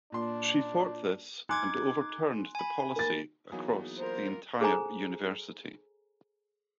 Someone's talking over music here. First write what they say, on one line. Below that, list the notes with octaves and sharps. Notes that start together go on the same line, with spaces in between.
She fought this and overturned the policy across the entire university.
A#2 D4 C6
D#4 G#5 C6 D6 F#6 G#6
G#5 B5
A#3 A6
E3 F#3 A#3 B3 D#4 G#4
F4 A#4 C5
G#4 A4 C5 G#5 A#5